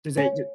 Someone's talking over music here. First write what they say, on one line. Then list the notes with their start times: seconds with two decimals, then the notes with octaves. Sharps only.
Does it do
0.17 C#4